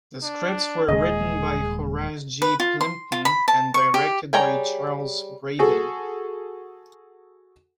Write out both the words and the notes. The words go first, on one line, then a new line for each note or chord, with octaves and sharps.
The scripts were written by Horace G. Plympton and directed by Charles Brabin.
D4
D#1 D#2 G#3 G#4 D#5
B4
F4
C6
F4
B5
A5
C#6
G4
G3 G#4 C#5 G5 A#5
F#4 G#4 A4